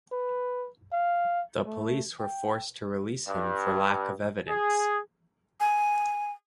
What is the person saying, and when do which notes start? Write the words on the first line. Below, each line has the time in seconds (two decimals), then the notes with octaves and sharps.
The police were forced to release him for lack of evidence.
0.12 B4
0.92 F5
1.66 A3
2.19 G5
3.28 G2
4.48 G#4
5.60 G#5